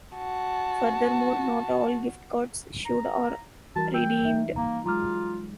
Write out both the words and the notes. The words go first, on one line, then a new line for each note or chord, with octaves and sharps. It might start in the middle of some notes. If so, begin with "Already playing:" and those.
Furthermore, not all gift cards issued are redeemed.
F#4 A5
A#5
E3 G3 F#4 A#4 A5
G5 E6
D#4 E5
A#3 A#5
F#3 G#3 F4 A#5 D6 F6